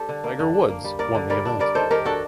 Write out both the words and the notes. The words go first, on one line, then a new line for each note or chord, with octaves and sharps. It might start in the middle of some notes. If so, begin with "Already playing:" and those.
Tiger Woods won the event.
Already playing: G3 D4 G4 A4 C5
D3
A#3
D3
D4
A#3
G3
A#3 A#4 D5
D3
G3 A#4 D5
D4
G3 A#4 D5
D#3 A4 C5
D#3 G4 A#4
D4 F#4 A4